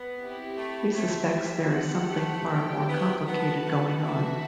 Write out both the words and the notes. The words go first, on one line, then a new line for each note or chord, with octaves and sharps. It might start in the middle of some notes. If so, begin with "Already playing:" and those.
He suspects there is something far more complicated going on.
Already playing: B3
C4 E4 G4
A3
A3 G4 C5 E5
G4 C5 F#5
A3
E4 G4 C5 G5
B3
B3 F#4 B4 F#5 A5
A3
E3 F#4 A4 E5